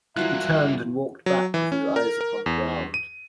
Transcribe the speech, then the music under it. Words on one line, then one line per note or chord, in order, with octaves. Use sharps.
He turned and walked back with his eyes upon the ground.
G2 E3 F#3 A#3 F4 E5 F#6
F#3
E3
C#4
A#4
A#4
E2
D#7